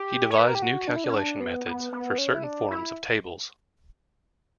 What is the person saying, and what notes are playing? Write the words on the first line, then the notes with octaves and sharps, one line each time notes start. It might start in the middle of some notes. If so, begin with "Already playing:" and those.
He devised new calculation methods for certain forms of tables.
Already playing: G4
C#5
B4
A#4
G4
F#4
D4
E4
D4
C#4
D4
B3
B3
B3
C#4
E4
D4
E4